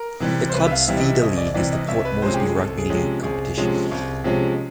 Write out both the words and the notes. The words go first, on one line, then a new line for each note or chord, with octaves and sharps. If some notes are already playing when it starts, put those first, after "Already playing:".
The club's feeder league is the Port Moresby Rugby League competition.
Already playing: A#4
C3 E3 G3
C5
C2 B4
E5
F5
C3 E3 G3 E5
D#5
E5
C2 D#5
D5
C3 E3 G3 D5
D#5
C2 E5
B4
C3 F3 G#3 C#4 C5
G4
G#4
C2 A4
G#4
C3 F3 G#3 C#4
C2 G#4
C3 F3 G#3 C#4
C2
C3 F3 G#3 C#4